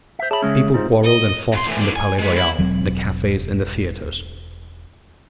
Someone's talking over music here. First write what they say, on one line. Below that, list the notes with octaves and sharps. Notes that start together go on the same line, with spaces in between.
People quarrelled and fought in the Palais Royal, the cafes, and the theatres.
C5 E5
G#4 C#5 E5 A5 B5
C#3 G#3 C#4
G#4
G#2 D#4 F4 C5
D#5
F2 C6
A2 E3
A2 D3
G#5
G#3 B3
E4
E1 F#3 C4